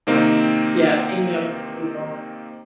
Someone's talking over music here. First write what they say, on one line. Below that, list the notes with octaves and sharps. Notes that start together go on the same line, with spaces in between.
um, yeah, being able to move on.
C3 D#3 A#3 C4 D#4